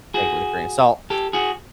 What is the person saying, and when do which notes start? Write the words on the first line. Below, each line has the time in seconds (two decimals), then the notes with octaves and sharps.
take it with a grain of salt.
0.14 F#4 G#4
1.10 G4 A4
1.33 F#4 G#4